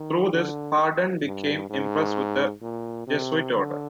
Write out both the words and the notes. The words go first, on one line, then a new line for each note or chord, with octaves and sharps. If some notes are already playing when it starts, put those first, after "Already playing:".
Through this Hardon became impressed with the Jesuit order.
Already playing: D#3
D3
G2
G#2
A#2
C3
D3